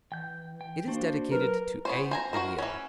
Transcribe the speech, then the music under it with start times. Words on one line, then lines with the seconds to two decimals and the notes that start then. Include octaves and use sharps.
It is dedicated to A. Leo.
0.12 E3 G5 G6
0.61 G5
0.88 A#3 D4 F#4 C5
1.31 F#3 A#4 B4
1.85 B3 C#4 C5
2.11 C5 G#5 A#5
2.33 F#4 G#4 A#4 C5
2.58 E3 C#4